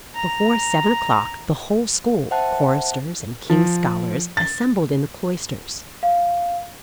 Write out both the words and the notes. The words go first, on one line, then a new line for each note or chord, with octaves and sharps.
Before seven o'clock, the whole school, choristers and king's scholars, assembled in the cloisters.
A#5
C5 E5 F#5 G5 A5 F#6
F3
A6
F5